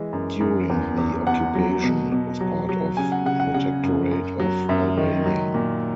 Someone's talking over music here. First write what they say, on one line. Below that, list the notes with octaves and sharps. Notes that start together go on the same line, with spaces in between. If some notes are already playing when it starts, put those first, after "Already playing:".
During the occupation, it was part of Protectorate of Albania.
Already playing: E3 G#3
F#2
F#2
E2
E2
E2 F#5
F#3
B2
B2
F#3
F#3
C#3 G#5
F#5
C#3 F#5
F#5
C#3 F#5
F#2
F#2
F#3
F#2 E5
D#3
F#3
A#2